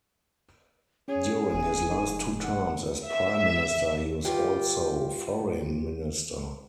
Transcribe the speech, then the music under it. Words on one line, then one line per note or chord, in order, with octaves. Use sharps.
During his last two terms as prime minister, he was also foreign minister.
C#4 G#4 C#5
F1 G#5
D#4
F#5
E5
D2 G2 F4 G4